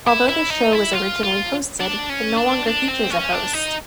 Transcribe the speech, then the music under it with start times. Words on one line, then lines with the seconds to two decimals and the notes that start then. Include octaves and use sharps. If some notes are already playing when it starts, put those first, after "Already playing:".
Although the show was originally hosted, it no longer features a host.
0.07 E4
0.29 E4
0.50 D#4
0.72 E4
0.93 F4
1.23 F4
1.80 D4
2.09 C#4
2.38 D4
2.67 D4
2.89 C4
3.10 C#4
3.33 D4
3.53 D#4